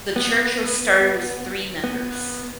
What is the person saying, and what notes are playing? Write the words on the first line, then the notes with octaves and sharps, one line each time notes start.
The church was started with three members.
B3
B3